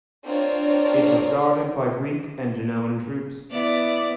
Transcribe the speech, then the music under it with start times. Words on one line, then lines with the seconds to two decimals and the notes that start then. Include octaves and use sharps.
It was guarded by Greek and Genoan troops.
0.25 C4 D4 F4 A#4 C#5
3.51 B3 E4 D5